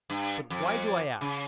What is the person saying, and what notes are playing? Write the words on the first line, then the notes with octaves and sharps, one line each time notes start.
But why do I ask?
G2
F2
C#3